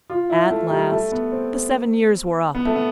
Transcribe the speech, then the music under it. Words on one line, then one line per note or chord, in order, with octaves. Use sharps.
At last the seven years were up.
F4
E4
A3
G3
A3
B3
C4
B3
A3
B3